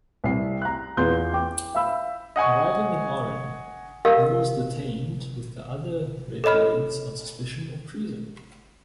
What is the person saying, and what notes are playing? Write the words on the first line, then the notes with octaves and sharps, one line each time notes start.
Arriving in Aren, Yil's detained with the other Red Blades on suspicion of treason.
C2 C7
A#5 F#6
E2 B3 F4 C6 G6
G5 D6
E5 F5 B5 E6
D#5 F#5 G#5 C#6
G4 A#4 D#5 F5 E6
A4 C#5 D#5 B5 F6